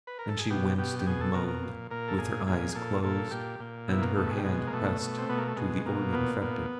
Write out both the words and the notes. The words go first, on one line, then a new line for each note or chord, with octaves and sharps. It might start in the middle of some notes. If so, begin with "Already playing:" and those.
And she winced and moaned, with her eyes closed and her hand pressed to the organ affected.
B4
A#4
A4
G#4
B2 G4
B2 G4
G4
B2 G#4
A4
B2 A#4
A#4
A#2
A#2 A#4
A4
A#2 G#4
A#2 G#4
A#2 A4
A#2 A4
A#2 G4
A#2
B2 E4
A#3
B2 A3
G#3
G3
B2 G#3
A#3
B2 A3
B2
C4
B2 B3
A#3
A3
B2 G#3
B2 A#3
A#2 B3
A#2 B3